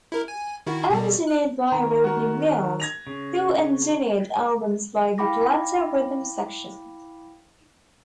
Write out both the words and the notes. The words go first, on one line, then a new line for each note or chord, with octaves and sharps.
Engineered by Rodney Mills, who engineered albums by The Atlanta Rhythm Section.
E4 A#4
G#5
D#3 E4 F#4
B2 G3
F#6
D#3 A#5
F#4 A#4
G#6 A#6 F7
C#3
E4 F5 G5 B5 D6 A#6